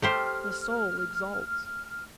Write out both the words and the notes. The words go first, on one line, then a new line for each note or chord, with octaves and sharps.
The soul exults.
A3 G4 C5 F6